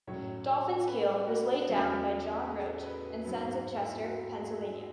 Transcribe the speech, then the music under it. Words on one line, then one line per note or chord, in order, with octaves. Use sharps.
"Dolphin"s keel was laid down by John Roach and Sons of Chester, Pennsylvania.
A2 F#3 C#4 C#5
B4
F#4
E2 C#3 F#3 A3 C#4
G#4
A4
B4
G#2 F#3 B3
F#4
E4
F#4
G#4